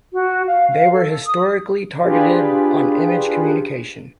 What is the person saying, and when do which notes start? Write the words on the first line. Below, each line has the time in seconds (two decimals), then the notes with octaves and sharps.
They were historically targeted on image communication.
0.13 F#4
0.46 F5
0.69 F5
0.93 A4
1.27 D#6
2.03 D4 F4 G4 G#4 B4